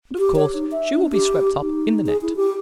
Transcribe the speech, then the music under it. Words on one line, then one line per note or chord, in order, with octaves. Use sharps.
But, of course, she will be swept up in the net.
G4
C#5
D#4
E5
D4
G4
D#4
G#4
E4
G4